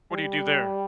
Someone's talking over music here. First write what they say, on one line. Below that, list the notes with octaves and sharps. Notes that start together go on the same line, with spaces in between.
What do you do there?
G3